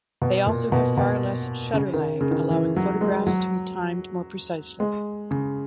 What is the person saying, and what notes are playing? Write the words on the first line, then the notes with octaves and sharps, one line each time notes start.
They also have far less shutter lag, allowing photographs to be timed more precisely.
B2
A#2
B2
B2
C#3
D#3
C#3
D#3
E3
F#3
G#3
F#3
G#3
C#3